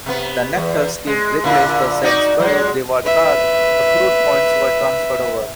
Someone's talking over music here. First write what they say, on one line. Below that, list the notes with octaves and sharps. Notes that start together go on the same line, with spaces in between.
The Nectar scheme replaced the Sainsbury's Reward Card; accrued points were transferred over.
C3 B3
E2
G#3
A#2 D3 E4
D#4 F#4 D5
F#3 G#3
B4 E5